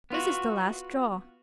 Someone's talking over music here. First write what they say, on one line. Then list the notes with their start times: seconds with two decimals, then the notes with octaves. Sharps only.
This is the last straw.
0.10 B3 F4 F#4